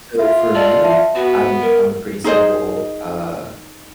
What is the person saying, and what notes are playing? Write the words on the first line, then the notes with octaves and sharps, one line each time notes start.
So, for me, I'm I'm a pretty simple, uh,
F4 E5
A#4 D5 D#5 A5
E5 A5
B3 F#4
A#4
D#4 G#4 C5 D#5